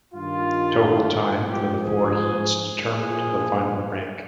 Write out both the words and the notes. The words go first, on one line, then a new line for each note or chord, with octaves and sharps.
Total time for the four heats determined the final rank.
G2 D#3 F4
G#2 F3 G4
G#4
A#2 F3 G#4